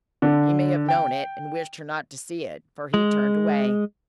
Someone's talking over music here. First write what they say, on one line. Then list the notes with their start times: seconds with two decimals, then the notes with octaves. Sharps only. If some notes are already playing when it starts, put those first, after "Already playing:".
He may have known it and wished her not to see it, for he turned away.
0.22 D3
0.89 G5
2.94 G#3